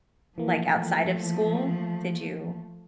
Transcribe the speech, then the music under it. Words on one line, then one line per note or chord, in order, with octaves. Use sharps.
like, outside of school? Did you
E3 F3 A3 A#3